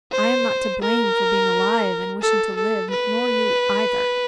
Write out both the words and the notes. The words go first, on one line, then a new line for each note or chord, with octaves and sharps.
"I am not to blame for being alive and wishing to live--nor you either."
C5
A#4
A4
A4
B4